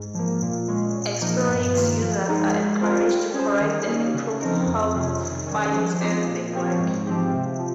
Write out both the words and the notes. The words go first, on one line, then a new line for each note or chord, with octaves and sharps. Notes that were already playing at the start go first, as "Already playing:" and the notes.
Experix users are encouraged to correct and improve help files as they work.
Already playing: G#2
F3 A#3
A#2
G#3 C#4
A#2
F3 A#3 D#4 A#4
G2
D#3 A#3 F4
F3
G#3 D#4 A#4
G#3
C4 F4 A#4
G3
C#4 G#4 C5
D#3
A#3 C#4 G#4
C#3
F3 C4 D#4 A#4
F2
C3 G3 C#4 G#4
D#3
G3 C#4
F3
C4 D#4 G4
A#2
F3 C4 G4 C#5
G#2
F3 C4 G4
C3
F3